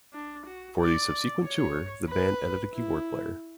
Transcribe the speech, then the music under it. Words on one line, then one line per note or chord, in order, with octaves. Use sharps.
For the subsequent tour the band added a key-board player.
D4
F#4
D5
C#5
B4
E4